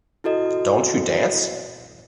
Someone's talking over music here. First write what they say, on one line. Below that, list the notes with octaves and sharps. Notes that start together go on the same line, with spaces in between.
Don't you dance?
E4 F#4 A4 D#5